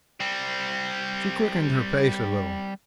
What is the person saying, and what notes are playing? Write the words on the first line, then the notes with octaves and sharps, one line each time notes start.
She quickened her pace a little.
G3 C4